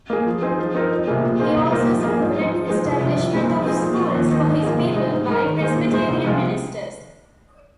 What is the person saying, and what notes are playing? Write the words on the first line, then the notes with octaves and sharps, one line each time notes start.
He also supported the establishment of schools for his people by Presbyterian ministers.
A#3 G#4
F3
C4 D#4 G#4 C5
F3
C4 D#4 A#4
F2
C3 F3 A#3 G#4
A#2
A#3 G#4 C5
C2
A#2 A#3 D#4 C5
F3
A#3 G#4
G#2
F3 G#3 C4
F3
G#3 D#4 G#4 C5
C2
C3 F3
C2
A#2 G#3 C4 D#4
F3
C4 D#4 G#4
A#2
F3 A#3
D#2
D#3 C4 D#4
G#2
F3 A#3 F4 G#4
C3
G#3 D#4
G#2
G#3 D#4 A#4
D#3
A#3 D#4 G#4 C5
A#2
G#3 D#4 C5
C2
C3 F3 G#3 F4